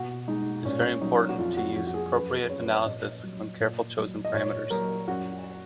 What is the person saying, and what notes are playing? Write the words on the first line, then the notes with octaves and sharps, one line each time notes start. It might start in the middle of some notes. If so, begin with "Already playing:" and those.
It is very important to use appropriate analyses with carefully chosen parameters.
Already playing: B2 F#4
G#3 D#4
A#2 C#4
F#3 D#4
F#4
F2 F4
F#4
F2 F#4
F#4
G#4
F#2 B4
B4
F#2 C#5
B4
C#5
A#2 D#5
F#3
A#2
F#3
D#5
A#2 C#5
F#3 A#4
F#2 F#4